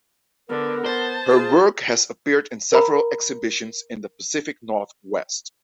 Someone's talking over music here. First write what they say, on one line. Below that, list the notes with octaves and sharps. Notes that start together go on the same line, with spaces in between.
Her work has appeared in several exhibitions in the Pacific Northwest.
D3 B3 A#4
C5 A5
F4 G#4
A#4 F5 A#5 B5